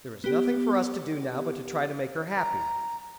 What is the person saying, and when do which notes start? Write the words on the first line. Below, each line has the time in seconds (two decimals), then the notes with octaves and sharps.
There is nothing for us to do now but to try to make her happy.
0.24 B3 G4
2.36 A#5